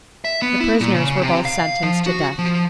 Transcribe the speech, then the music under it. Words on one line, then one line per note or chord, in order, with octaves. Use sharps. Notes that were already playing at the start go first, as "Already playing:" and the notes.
The prisoners were both sentenced to death.
E5
B3
E4
A#2
C#3
C3
F5
F3
F#4
F3